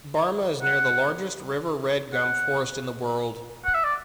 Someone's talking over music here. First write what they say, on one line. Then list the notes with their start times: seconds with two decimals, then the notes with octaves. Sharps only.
Barmah is near the largest river red gum forest in the world.
0.62 F#5
2.13 F#5
3.65 F#5
3.75 E5
3.84 D5